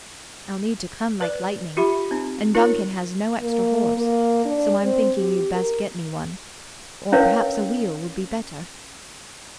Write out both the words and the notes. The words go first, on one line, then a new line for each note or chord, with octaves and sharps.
I'll need to come like lightning, and Duncan has no extra horse, so I'm thinking you'd best get me one--or perhaps a wheel would be better.
B4 D5
F4 G4 E5 B5
C4 D#4
D#4 F4 A#4 C#5
A#3
A#3
D4
C4
G4
A#4
C#4 E4 A#4 B4 C#5 F5